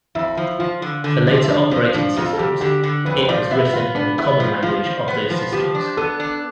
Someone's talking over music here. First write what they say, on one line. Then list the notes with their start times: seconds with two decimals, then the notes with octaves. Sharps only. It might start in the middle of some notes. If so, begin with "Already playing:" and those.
For later operating systems it was written in the common language of those systems.
0.15 F2 E4
0.37 F3
0.59 F3 F4
0.82 D3
1.04 D3
1.27 F3 G4
1.43 E4
1.49 F3 D4
1.71 F3 C4
1.94 F3 D4
2.17 F2 F4
2.33 A4
2.38 F2 G4
2.61 D3 G4
2.83 D3
3.05 F2 B4
3.18 C5
3.28 F3 D5
3.51 B3 E5
3.73 B3 F4
3.95 B3 D4
4.18 B3 E4
4.40 F3 F4
4.63 F3 F4
4.85 F3
5.08 B3
5.30 F3
5.52 F3 G4
5.75 D4
5.97 B3 A4
6.20 D4